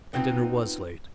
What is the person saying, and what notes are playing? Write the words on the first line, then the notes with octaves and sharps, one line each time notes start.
And dinner was late.
B3 C4 D#4 F4